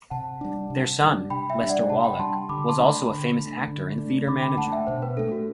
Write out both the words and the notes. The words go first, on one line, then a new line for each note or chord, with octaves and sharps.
Their son, Lester Wallack, was also a famous actor and theater manager.
C3 F#5 A5
G3 D4
C3
G3 D4
C3 G5 B5
E5 G5
G3 D4
D5 F#5
C3 F#5 A5
G5 B5
G3 D4 A5 C6
D3 B5 D6
A5 C6
A3 D4
G5 B5
D3
A3 D4
D3
A3 D4
D3 B5 D6
G5 B5
A3 D4 F#5 A5
E5 G5
B2 C5
B4
A3 D4 A4
F#4